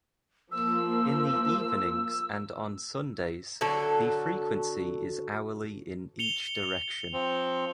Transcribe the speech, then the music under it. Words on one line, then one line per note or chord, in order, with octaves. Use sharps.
In the evenings and on Sundays the frequency is hourly in each direction.
F3 A#3 E6
D3 F#3 A4
C#7 F7 G7
F3 C4